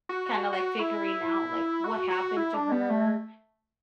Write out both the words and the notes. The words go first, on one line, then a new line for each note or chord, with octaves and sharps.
kind of, like, figuring out, like, what happened to her
F#4
F#4
F#4
E4
F#4
F#4
E4
D4
B3
A3